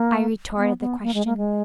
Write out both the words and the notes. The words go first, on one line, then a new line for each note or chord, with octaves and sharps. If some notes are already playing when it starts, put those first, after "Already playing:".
I retorted the question.
Already playing: A#3
B3
B3
A#3
G#3
A#3
G#3